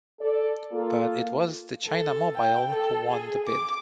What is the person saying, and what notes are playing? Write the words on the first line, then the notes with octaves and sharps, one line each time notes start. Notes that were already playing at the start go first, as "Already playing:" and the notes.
But it was the China Mobile who won the bid.
A4 D5
A#3 F4 A4
A4
G5
A4
G#4
D6